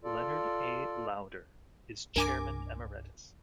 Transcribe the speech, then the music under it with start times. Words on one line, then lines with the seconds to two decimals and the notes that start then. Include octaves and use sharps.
Leonard A. Lauder is Chairman Emeritus.
0.04 F4 A4 D5
2.16 C2 G2 D4 A#4 G#5 D6